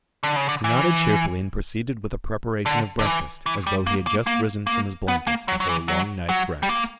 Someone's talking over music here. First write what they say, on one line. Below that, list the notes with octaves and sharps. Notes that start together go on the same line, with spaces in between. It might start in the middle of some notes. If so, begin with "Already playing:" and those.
He nodded cheerfully and proceeded with the preparation of breakfast as though he had just risen from his blankets after a long night's rest.
D3
C#3
D3
E3
D3
D3
E3
E3
G3
A#3
A#3
A#3
A#3
B3
A#3
F#3
F#3
E3
F#3
F#3
G3
A#3